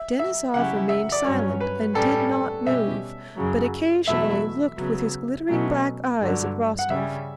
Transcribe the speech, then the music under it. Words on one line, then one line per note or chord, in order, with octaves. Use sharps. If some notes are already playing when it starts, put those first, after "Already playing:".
Denisov remained silent and did not move, but occasionally looked with his glittering black eyes at Rostov.
Already playing: E5
E5
C#3 F#3 C#4 E4 G4 F#5
E5
D5
G2 F#3 C#4 C#5
B4
A2 G3 C#4 A4
B2 G3 C#4 G4 E5
F#2 C#3 F#3
E2 B2 F#3 A3 E4 E5
C#3 F#3 B3 F#4
B2 F#3 A3 C#4
G2 D3 F#3
F#5
C#3 G3 C#4 E5